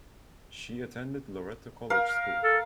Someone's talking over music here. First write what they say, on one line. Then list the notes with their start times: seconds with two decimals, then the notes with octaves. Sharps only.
She attended Loretto College School.
1.90 A#4 F5
2.44 A4